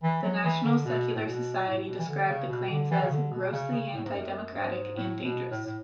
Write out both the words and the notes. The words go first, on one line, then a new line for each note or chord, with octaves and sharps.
The National Secular Society described the claims as "grossly anti-democratic and dangerous".
E3
F#3
E3
D3
B2
A2
B2
A2
B2
E3
D3
C#3
B2
D3
E3
C#3
D3
B2
C#3
C#3
A2
G#2
F#2
G#2
A2
B2
A2
A2